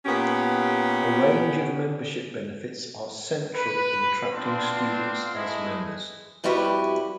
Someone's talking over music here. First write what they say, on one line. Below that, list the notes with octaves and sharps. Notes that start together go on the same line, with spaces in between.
A range of membership benefits are central in attracting students as members.
A#2 B3 C#4 G4
B4
B3 C4 D4 F4 F5 C6
G#3 A3 E4 D#5
F2 G3 E4 F#4 G4 B4